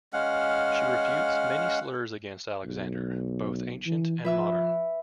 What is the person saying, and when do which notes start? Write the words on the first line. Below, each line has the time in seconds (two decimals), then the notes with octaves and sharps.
She refutes many slurs against Alexander, both ancient and modern.
0.13 G#3 C#4 F5 F#5
2.64 B1
3.86 E3
4.25 F3 B4 E5 E6